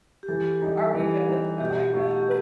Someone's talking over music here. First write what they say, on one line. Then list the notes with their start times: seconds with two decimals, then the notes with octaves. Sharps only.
Are we good? Am I good?"
0.23 G4
0.28 E3 A4
0.62 G3 D#4
0.94 E3
1.28 G3 D#4
1.60 B2 G4
1.93 A3 D#4 F#4
2.17 G4